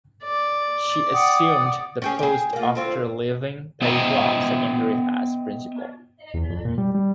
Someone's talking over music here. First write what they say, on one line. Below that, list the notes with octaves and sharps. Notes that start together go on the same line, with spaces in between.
She assumed the post after leaving Pei Hua Secondary as Principal.
D5
F#5 G5 D#6
C#4 G4 G#4
G4 G#4
A#3 F4
D3 C4 F4
B3 C5 D#5 E5 G5 A#5
E2
F2
A#2
G3
G3